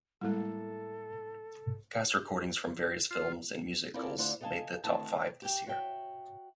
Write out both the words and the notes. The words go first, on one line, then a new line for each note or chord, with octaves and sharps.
Cast recordings from various films and musicals made the top five this year.
A2 G3 G#3 A#3 E4 A4
F4
C4 E4 F4 A4 A#4 D5
D2 D3 D4 F4 C5
A4 D#5 F5 F#5 G#5 A5
D2 D#3 C4 E4 A5
G4 G5
F#4 C#5 E5 G5